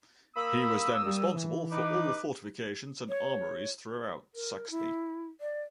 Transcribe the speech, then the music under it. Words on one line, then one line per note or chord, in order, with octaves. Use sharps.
He was then responsible for all fortifications and armories throughout Saxony.
A#3 B5 D#6 E6
G3
E3
D#4 B4 D6
C#5
A#4
E4
D5